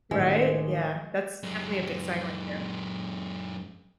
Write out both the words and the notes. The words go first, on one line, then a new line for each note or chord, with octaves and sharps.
Right? Yeah, that's definitely a big sign right there.
A1 D#3 G#3
F#2 G#3